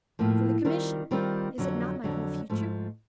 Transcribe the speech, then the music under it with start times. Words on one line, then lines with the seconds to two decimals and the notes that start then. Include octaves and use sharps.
"For the commission; is it not my whole future?"
0.19 A2 F3 A#3
0.65 D#3 G3 C4 F4 A#4
1.11 D#3 G3 C4 F4 A#4
1.58 F2 D3 F#3
2.04 F2 D3 F#3
2.50 G#2 F3 A3